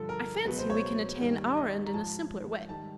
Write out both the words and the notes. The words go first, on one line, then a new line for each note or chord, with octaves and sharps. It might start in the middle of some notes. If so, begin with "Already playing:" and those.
I fancy we can attain our end in a simpler way.
Already playing: G2 D3 F3 A4
A#4
C#2 B2 F#3 B4
C5
C#5
G2 D#3 G3
D#5
A#5
G#2 F3 A5
G#2 D#3 G3 A5